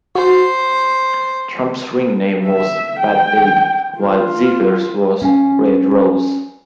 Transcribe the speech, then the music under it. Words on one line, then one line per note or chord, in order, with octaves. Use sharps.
Trump's ring name was "Bad Babe" while Ziegler's was "Red Rose".
F#4 C5
E5
G5
F4
C#4 F5 G#5